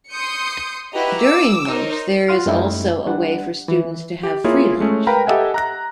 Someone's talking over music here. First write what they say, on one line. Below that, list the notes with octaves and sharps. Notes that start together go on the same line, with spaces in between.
During lunch, there is also a way for students to have free lunch.
C6 D#6 G6 C#7
E4 F#4 G4 B4 D#5 A#5
D6 E6
D#4 A#4 C5 C#5
F4 F#4 F5 C6 F6
F#2 G3 A3 C#4 D#4 E4
G3 D4 F#5
E3
G4
A#3 E4 F4 G#4 C#5
G#3 A3 C#4
A#4 B4 F5 G5 A#5 B5
G4 A4 D#5 E5 F#5 G#5
A#5 F#6 A#6